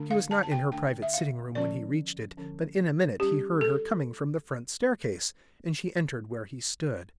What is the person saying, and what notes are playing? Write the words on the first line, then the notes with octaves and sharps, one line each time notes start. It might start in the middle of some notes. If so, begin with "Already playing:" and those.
She was not in her private sitting-room when he reached it, but in a minute he heard her coming from the front staircase, and she entered where he stood.
Already playing: D3 A3 D4
F5
A5
A5
G5
D3 A3 D4 G5
E5
F5
D3 F3 C#4 D5
D3 F3 C#4
G3 C#4 G4
A4